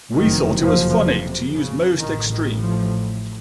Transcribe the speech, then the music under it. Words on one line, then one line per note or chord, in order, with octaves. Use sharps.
We thought it was funny to use Most Extreme.
F#1 F2 C3 D#3
F3
C#3
A1 A2 D#3
D#3
F3